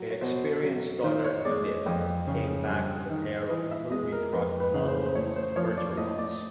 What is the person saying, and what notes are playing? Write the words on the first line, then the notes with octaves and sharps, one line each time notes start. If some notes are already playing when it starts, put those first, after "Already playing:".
Inexperienced Daughter Edith came back with a pair of brewery-truck-model Percherons.
Already playing: F#3
C#5
B2 C5
F#3
D#3 C5
C#5
G#3 D5
F2
C#3
G2
D#3
E3 D#5
E5
G#3 D#5
A#4
F2 B4
B4
C#3
C5
C5
A2 C#5
C5
F3 C#5
D5
A2 D#5
D5